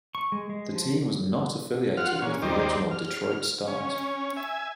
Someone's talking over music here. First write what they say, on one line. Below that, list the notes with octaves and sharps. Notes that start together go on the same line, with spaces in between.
The team was not affiliated with the original Detroit Stars.
C#6
G#3
G#3
F3
F4 F#5 F6
A#2 C#4
D#2 G3 D#4 C5 D5
F6
C#4
E5 G#5